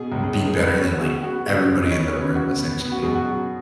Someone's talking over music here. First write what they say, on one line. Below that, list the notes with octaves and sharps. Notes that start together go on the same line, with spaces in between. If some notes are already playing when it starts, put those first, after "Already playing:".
be better than, like, everybody in the room, essentially.
Already playing: B2 G#4
C#2
G#4
C#2
G#4
C#2 B4
B4
B3 C#5
F#4
B3 G#4
B3 F#4
C#3
C#5
C#3
D#5
B3 C#5
C#5
C#3 B4
C#3 F#4
B3
B3
F#4
B2 G#4
F#4
F#3